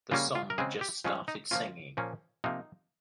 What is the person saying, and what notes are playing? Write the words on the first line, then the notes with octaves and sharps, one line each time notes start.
The song just started singing.
C#3 G3 A#3 C#4 F4
F4
A#4
C#3 G#3 C4 G#4
G4
F3 G#3 C#4 F4
D#4
F3 A#3 C#4 F4
A#2 F3 A#3 C#4
C3 F3 A#3 D#4